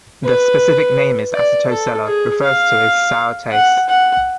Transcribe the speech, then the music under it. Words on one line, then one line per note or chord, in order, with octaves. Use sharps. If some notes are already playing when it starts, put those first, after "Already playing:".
The specific name is acetosella, refers to its sour taste.
B4
D5
A4
G#4
F5
F#5
F#5